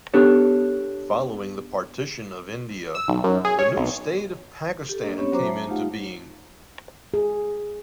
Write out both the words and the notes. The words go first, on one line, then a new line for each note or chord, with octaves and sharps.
Following the partition of India, the new state of Pakistan came into being.
B3 D4 G4 A4 C#5
E6
B1
F#2
G#4
C#5
B1
G4 A4
A#3 D4 D#5
B3 C#4 G4 C#5
F#3 F#4 C5 A#5 D6
E5 F#5 A5 A#5
A3 D#4 F4 G4 F5 F#5
G#4